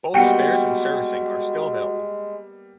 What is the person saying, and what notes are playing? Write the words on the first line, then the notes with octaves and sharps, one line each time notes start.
Both spares and servicing are still available.
G3 G#3 A#3 B3 F#4 G5 C#7